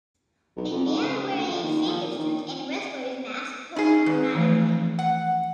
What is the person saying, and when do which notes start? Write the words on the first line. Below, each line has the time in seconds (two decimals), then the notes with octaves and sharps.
A man wearing a Santa suit and wrestler 's mask poses dramatically.
0.56 B1
0.71 F2
0.86 G#2
1.02 C#3
1.32 D2
1.48 F3
1.63 D#2
1.86 F3
2.02 A#2
2.18 D#3
3.76 C#4 D#4 G#4
4.06 G#2 D#3
4.35 E3 F3 A3
4.99 F#5